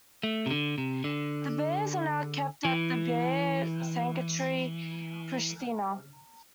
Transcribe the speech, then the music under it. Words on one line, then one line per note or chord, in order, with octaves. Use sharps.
The bears are now kept at the Bear Sanctuary Prishtina.
A3
C3
D3
C3
D3
E3